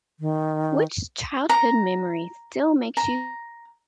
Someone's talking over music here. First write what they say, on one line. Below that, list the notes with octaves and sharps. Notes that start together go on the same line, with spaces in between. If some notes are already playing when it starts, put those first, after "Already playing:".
Which childhood memory still makes you
D#3
A#5
A#5